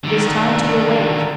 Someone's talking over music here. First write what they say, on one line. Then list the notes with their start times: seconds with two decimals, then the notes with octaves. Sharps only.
It is time to awake.
0.04 D3 D#3